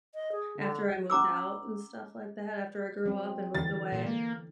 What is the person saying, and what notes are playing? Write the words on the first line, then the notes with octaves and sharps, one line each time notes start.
after I moved out and stuff like that, after I grew up and moved away,
D#5
G#4
D3
C#4 A#5 D6 E6
F#3 C4
D3 E3 A6
A#2
A#3